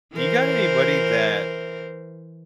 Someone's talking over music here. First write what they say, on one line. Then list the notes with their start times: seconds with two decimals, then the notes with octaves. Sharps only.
Do you got anybody that, uh,
0.14 E3 A#4 C5